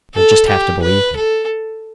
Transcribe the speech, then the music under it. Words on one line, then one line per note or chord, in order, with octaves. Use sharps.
You'll just have to believe me.
A4
G4
B4
A4